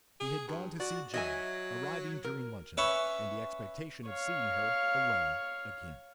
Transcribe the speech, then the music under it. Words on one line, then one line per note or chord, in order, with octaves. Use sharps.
He had gone to see Joe, arriving during luncheon, in the expectation of seeing her alone again.
G#4
G2
F#4 D5
F#3 D#5 E5 G#5
A#4
C#4 B4 C#5 E5 C#6
C#5 F5